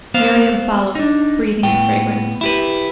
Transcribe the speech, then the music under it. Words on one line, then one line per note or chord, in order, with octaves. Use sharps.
Miriam followed, breathing the fragrance.
B3 C5 F5
D4 D#4
A2 B3 G5
E4 G4 B4